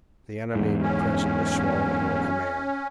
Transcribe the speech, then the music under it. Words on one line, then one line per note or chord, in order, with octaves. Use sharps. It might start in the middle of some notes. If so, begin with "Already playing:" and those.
The enemy would presently swallow the whole command.
E2 G#2
C#4